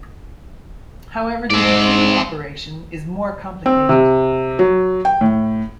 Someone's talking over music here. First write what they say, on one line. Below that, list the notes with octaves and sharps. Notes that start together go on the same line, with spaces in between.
However the dequeue operation is more complicated.
G#2 C4 D5
C4
C3
F#3
G5
A2